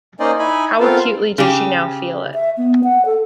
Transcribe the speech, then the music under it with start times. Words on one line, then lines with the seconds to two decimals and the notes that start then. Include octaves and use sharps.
How acutely did she now feel it!
0.20 A#3 C#4 D#4 C5 D5 D#5
0.39 D#4 E4 G#5 B5
0.80 B3 C4 F4 A4 A#4 F5
1.38 C#3 G4
2.34 E5
2.58 B3
2.84 F#5
3.06 A4